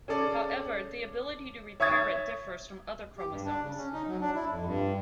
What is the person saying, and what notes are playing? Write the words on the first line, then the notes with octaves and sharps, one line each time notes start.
However, the ability to repair it differs from other chromosomes.
C#4 G#4 A4 D5
C#5 E5 C#6 D#6 G#6 A6
G4
G2
D4
C#3
C#4
D#4
F#3
D4
E4
F2
G2